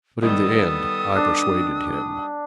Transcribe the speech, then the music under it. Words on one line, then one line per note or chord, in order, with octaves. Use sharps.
But in the end I persuaded him.
D#3 G3 B3 A4 D#6
D4